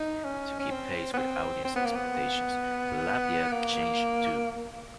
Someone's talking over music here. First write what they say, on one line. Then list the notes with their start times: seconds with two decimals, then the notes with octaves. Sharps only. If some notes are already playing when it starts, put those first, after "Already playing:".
To keep pace with audience expectations, the Lafayette changed, too.
Already playing: D#4
0.25 C#4
0.60 C#4
0.71 C4
1.14 B3
1.18 C4
1.65 C4
1.76 B3
1.85 A#3
1.96 B3
3.52 A#3